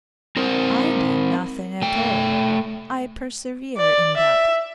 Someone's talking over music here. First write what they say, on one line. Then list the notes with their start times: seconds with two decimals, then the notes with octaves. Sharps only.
I do nothing at all, I persevere in that.
0.37 C4 A#4 C5
1.82 A3 G5
3.77 D5
4.17 E5